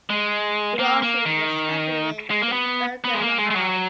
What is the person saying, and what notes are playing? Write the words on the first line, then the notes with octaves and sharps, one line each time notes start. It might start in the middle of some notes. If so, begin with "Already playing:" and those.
An auction was happening in Begum Mahal.
G#3
A#3
A#3
D#3
G#3
A#3
B3
B3
G#3
A#3
G#3
G#3
F#3